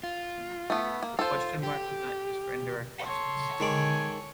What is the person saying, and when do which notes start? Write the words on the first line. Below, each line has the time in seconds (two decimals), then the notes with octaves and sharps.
The question mark is not used for indirect questions.
0.04 F4
0.70 A3 B3
1.03 A#3
1.19 F4 A4 C5
1.63 G4
3.04 A4 C#5 C6
3.60 D#3 G#3 D5 G#5